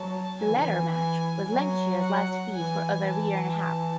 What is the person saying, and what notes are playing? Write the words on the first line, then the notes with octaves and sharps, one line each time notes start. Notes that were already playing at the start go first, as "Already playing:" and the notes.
The latter match was Lancashire's last defeat for over a year and a half.
Already playing: F#3 A5
F#3 G#5
E3
D3
E3
G#5
F#3 G#5
F#5
E3 G#5
A5
A5